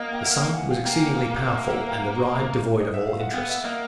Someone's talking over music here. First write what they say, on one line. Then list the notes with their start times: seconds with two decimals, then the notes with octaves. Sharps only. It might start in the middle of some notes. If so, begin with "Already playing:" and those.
The sun was exceedingly powerful, and the ride devoid of all interest.
Already playing: A#3 D#5 F5 F#5
0.12 G5
0.23 E5 F#5
0.39 F5 G5
0.54 F#5 G#5
0.70 F5 G5
0.85 A#3 G5
0.93 G#5
1.01 F5 G5
1.16 F5 G5
1.40 F5
1.48 E5 F#5
1.68 E5 F#5
1.89 F5 G5
2.80 D#5
2.94 E5
3.07 F5
3.20 F#5
3.33 B3 F5 G5
3.49 E5 F#5
3.64 A#3 D#5 F5